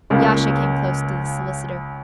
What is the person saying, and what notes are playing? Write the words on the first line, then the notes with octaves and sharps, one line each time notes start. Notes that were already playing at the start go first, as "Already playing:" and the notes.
Yasha came close to the solicitor.
C#2 C#3 A#3